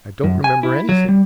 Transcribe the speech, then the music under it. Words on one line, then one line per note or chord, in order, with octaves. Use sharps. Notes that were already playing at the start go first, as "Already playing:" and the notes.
I don't remember anything.
F#2
G#5
E4
F#3
G3